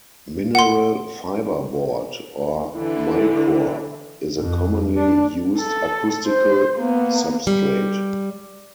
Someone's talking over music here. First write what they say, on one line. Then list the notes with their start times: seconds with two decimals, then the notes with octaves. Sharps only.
Mineral fiber board, or Micore, is a commonly used acoustical substrate.
0.55 F#5 C6
2.74 D3 E3 E4
4.38 F2
4.96 D4
5.59 A4
6.27 C5
6.77 A#3 B3
7.47 G3